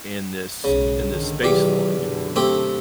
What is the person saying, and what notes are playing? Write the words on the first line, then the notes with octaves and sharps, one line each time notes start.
in this in this spaceflight
B1 G#2 C#3
G1 D3 D#3
E2 B2 D#3 F#3 G4
F#2 B2 D3
A3 C4 G4